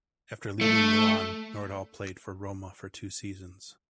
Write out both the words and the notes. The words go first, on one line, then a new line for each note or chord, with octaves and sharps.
After leaving Milan, Nordahl played for Roma for two seasons.
A3